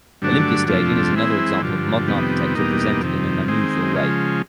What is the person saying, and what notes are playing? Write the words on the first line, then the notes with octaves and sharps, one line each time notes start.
Olympiastadion is another example of modern architecture presented in an unusual way.
G2 D3 F#3 A3 D4
F2 C3 F3 A3 D4
E3 G#3 C4 E4
G2 D3 F3
F2 C3 D#3 G3 B3
E2 B2 G3 A#3 D#4
F2 C3 D#3
D#3 G#3 C4
C#3 F3 G#3